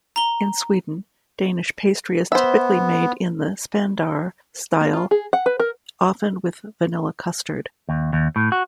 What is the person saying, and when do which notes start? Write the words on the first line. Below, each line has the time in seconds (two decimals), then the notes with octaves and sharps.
In Sweden, Danish pastry is typically made in the Spandauer-style, often with vanilla custard.
0.16 A#5 G7
2.32 B3 C5 E5
4.81 A#3
4.93 F4
5.11 G#4
5.33 F#5
5.46 B4
5.60 A#4
7.89 D#2
8.13 D#2
8.36 A2
8.52 F#4